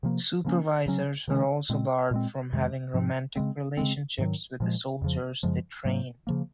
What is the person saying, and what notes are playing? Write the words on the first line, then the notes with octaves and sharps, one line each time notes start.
Supervisors were also barred from having romantic relationships with the soldiers they trained.
C3 F3 A#3
C#3 F3 A#3 C#4
C#3 F#3 C#4
C3 D#3 G#3 C#4
A#2 G#3 C4
A#2 G#3 C4
F2 C3 D#3 G#3
G#2 F3 C4
C#3 G#3 C4
C#3 G#3 C4
G#2 D#3 F#3
A#2 F3 G#3
F2 C#3 F3
F#2 C#3 F3 G#3
G#2 F#3 A#3
C#3 F3 A#3